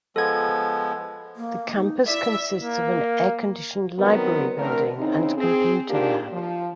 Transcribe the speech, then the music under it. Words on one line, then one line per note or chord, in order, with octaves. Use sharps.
The campus consists of an air-conditioned library building and Computer Lab.
F3 G#3 B3 A4 G#6
A#3
D#4
E4 D5 E5
A#3
D3 D#3 F#3 B3 C4 A#4
D3 E3 A3 C4 A#4
C#3 E3 C4 D#4
C4 G#4
D#2 G#2 A#3 D4 F4 G4
F3